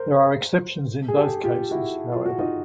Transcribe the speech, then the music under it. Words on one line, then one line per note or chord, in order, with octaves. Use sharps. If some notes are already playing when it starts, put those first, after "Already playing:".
There are exceptions in both cases, however.
Already playing: A#4 C5
G#4
G4 A4
F4 G4
E4 F#4
F4
F#4
D#4 F4